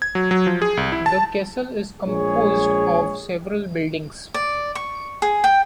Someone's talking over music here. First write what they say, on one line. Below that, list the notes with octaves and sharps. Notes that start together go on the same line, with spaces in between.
The castle is composed of several buildings.
G#6
F#3
F#3
F3
G#4
C2
E4
A5
A#1 G#3 G#4 C#5
D5
C#6
G#4
G5